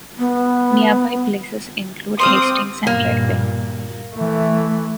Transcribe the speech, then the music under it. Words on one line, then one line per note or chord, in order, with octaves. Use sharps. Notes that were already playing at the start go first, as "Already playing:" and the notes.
Nearby places include Hastings and Red Wing.
B3
C4 C5 D5 F5 D#6
G2 A#2 A#3
E3 A3